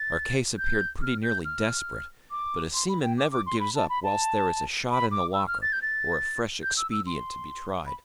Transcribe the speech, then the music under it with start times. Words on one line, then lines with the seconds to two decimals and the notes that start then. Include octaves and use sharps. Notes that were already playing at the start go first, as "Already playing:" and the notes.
Our case appeared pretty nearly desperate; but a seaman never gives up "whilst there is a shot in the locker," or a fresh expedient to be tried.
Already playing: A6
0.58 G6
1.02 F6
1.23 G6
1.45 F6
2.31 D6
2.74 C6
2.89 B5
3.03 G5
3.18 D6
3.31 D6
3.46 C6
3.60 B5
3.75 A5
3.89 B5
4.04 A5
4.91 B5
5.11 D6
5.34 E6
5.48 F6
5.62 A6
5.73 G6
5.82 A6
6.63 G6
6.77 E6
6.92 E6
7.07 C6
7.86 B5